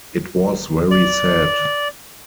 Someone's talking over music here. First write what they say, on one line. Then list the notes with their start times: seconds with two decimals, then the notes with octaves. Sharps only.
It was very sad.
0.91 D5